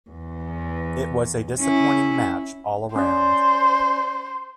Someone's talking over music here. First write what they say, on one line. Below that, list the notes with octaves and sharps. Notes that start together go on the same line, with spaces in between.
It was a disappointing match all round.
E2
C#4 E4
C#4 C5 D5